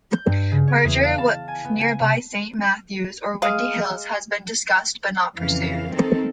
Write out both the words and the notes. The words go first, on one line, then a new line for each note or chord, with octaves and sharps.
Merger with nearby Saint Matthews or Windy Hills has been discussed but not pursued.
G6
G2
C#3
C#5
E2
F5
A5
G#5
B3
G#5
C3
G#3 G#4 F5
F2 C#3 E3 F5
D#3 C4 D#4 A4